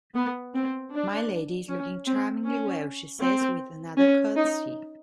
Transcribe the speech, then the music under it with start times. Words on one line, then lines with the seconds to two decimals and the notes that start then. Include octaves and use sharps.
"My Lady is looking charmingly well," she says with another curtsy.
0.15 B3
0.54 C4
0.92 D4
1.68 C#4
2.06 C4
2.45 C#4
3.21 C4
3.97 C#4
4.35 D#4